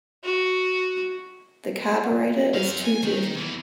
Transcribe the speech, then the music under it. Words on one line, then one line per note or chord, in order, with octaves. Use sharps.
The carburettor is too dirty.
F#4
C4 F5
G#5
D#3
E2 E3